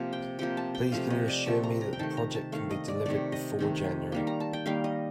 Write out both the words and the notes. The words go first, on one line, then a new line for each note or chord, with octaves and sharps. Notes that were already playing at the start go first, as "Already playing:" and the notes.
Please can you assure me that the project can be delivered before January?
Already playing: C3 F3 A#3 F5
G5
C3 F3 A#3 G5
A5
G5
C3 F3 A3 F5
D#5
D5
C3 F3 A3 A5
A#5
A#5
G5
D#3 A3 A5
A#5
A5
D#3 A3 F5
D#5
D5
C3 D#3 A3 D5
D#5
C3 D#3 A3
D#3 G3 A#3
A#5
A5
G5
D#3 G3 A#3 F5
D#5